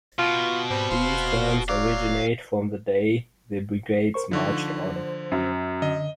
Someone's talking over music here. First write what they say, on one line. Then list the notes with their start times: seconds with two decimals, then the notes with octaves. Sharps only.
These terms originate from the day the brigades marched on.
0.19 B2 F4
0.70 G#2 G3 C4
0.91 E1 C5 F5 C6
1.69 F#3 D5 F5
4.14 A#4 C5 C#6
4.31 D3 F3 D#4 C#6
4.96 C5
5.32 F#2
5.82 D3 D#5